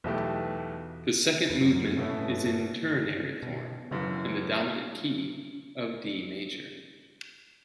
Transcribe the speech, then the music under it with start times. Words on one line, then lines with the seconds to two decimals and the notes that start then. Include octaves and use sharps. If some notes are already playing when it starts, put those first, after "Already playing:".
The second movement is in ternary form and the dominant key of D major.
0.04 B1 E2 B2 A3 E4 G4
1.50 E2
1.61 F#2
1.73 F#2
1.85 F#2
1.97 G2 B2 A3 C#4 E4
2.13 A2
2.30 G2
2.46 G2
3.43 B2
3.91 G1 F#2 C#3 E3